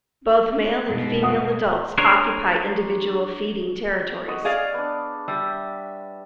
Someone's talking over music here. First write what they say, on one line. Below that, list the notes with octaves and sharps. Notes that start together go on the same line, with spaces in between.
Both male and female adults occupy individual feeding territories.
G#2 B2
F#5 D#6
D4 G#4 A#4 C5 C#5
D#5 F#5 C#6
G#4 D5 F5
B3 D4
G3 E5